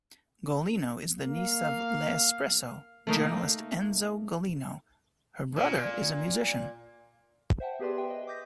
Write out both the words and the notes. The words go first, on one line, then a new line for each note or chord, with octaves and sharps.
Golino is the niece of "L'Espresso" journalist Enzo Golino; her brother is a musician.
A#3 F5
A3 A#3 D#4
A#2
C5 E5 F#5 G5 A5
B3 G4 G#4 B4 D5 C6
B4 E5 G5
D#5
D6 D#6 G6 A#6 B6